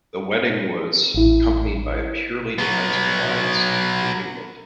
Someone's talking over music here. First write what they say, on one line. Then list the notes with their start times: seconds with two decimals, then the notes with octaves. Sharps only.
The wedding was accompanied by a purely defensive alliance with England.
1.14 A1 E4
2.59 F#3 B3